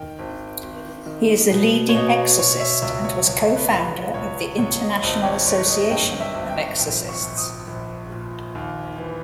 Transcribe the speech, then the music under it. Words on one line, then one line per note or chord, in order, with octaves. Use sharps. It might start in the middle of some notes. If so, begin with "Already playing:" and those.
He is a leading exorcist and was co-founder of the International Association of Exorcists.
Already playing: D#3 G5
G#1
G#1
D#3
B2
C#5
B2 D#5
B2 C#5
E5
C#2 E5
C#5
C#2 C#5
B4
C#2
C#5
C#2 C#5
C#5
C#2 C#5
D#5
G#1 D#5
C#5
G#1 C#5
D#5
G2 G5
E5
G#1
G5
A#1 G5
C#6
A#1
D#6
A#1
A#2
D#2
E3